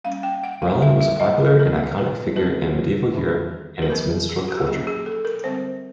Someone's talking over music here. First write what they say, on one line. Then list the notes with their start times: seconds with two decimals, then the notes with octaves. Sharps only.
Roland was a popular and iconic figure in medieval Europe and its minstrel culture.
0.04 G3 A#3 C#4 F5
0.23 G5
0.43 F#5
0.62 F5
0.82 G3 A#3 C#4 E5
1.01 E5
1.20 D#5
1.40 A4
1.59 D3 G3 C4 A#4
1.98 B4
2.35 D3 F#3 A3 C4 B4
3.13 D#3 G3 B3 D4
3.82 B4
3.90 D3 F#3 B3 A#4
4.29 G#4
4.38 F4
4.48 F#4
4.57 G4
4.67 D3 F#3 A#3 C#4 G#4
4.87 G#4
5.06 A4
5.25 A#4
5.44 D3 G3 C4 C5